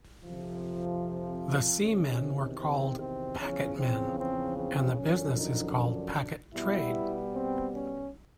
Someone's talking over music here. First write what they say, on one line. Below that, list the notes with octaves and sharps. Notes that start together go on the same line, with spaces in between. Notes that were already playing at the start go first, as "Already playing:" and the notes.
The seamen are called packetmen, and the business is called packet trade.
F2 C3 F3
E2 C3 D#3 C#4
C4
C4
E2 C#3 F3 C#4
C4
C4
C4
F#2 D3 F3 C#4
D#4
D4
B2 G3 B3 E4
C4
C#4